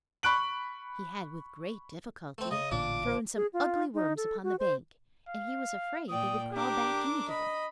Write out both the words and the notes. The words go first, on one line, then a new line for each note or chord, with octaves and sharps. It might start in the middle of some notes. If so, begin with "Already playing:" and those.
He had, with great difficulty, thrown some ugly worms upon the bank and he was afraid they would crawl back in again.
B5 C#6 F#6 D7 F#7
A3 C4
C#3 D#5
A1 A#2 D3 D4 F4 D6
F3
G#4
F4
D#4
A4
F#4
C5
F5
A#2 D5 G5 D#6
D4 G4 A#4 D6
D#5 B5